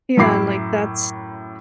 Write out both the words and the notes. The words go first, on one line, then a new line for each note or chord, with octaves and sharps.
Yeah, and like that's
F#2 A2 E4 B5 D6 C7